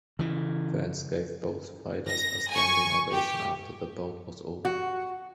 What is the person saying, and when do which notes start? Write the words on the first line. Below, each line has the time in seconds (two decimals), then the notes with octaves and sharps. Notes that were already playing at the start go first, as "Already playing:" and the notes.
Fans gave both fighters a standing ovation after the bout was over.
0.19 C#3 E3
2.09 A#6
2.51 G#5 C#6
3.13 G4
4.65 F#4